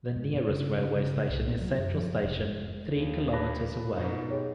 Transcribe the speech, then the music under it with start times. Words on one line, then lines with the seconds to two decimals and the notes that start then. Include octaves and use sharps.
The nearest railway station is Central station, three kilometres away.
0.16 G#2
0.34 G2
0.49 C#3
0.95 C#3
1.29 C2
1.48 B3
1.61 F#3
1.78 F#2
1.95 F3
2.22 F1
2.45 G#3
2.93 D#2
3.33 B4 A5 B5 D6 A#6
3.97 G#2 B2 D#4
4.30 G4 G#4 C#5